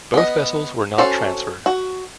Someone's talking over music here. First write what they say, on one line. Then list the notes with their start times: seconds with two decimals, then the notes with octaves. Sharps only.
Both vessels were not transferred.
0.14 B3 D#5
0.98 C#4 F#4 A4 C5
1.66 F#4